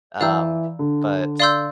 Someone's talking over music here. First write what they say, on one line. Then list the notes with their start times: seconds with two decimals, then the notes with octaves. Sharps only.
um, but,
0.20 E3 D5 F5 A#5 E6 G6
0.79 D3
1.40 D5 F5 C6 E6 G6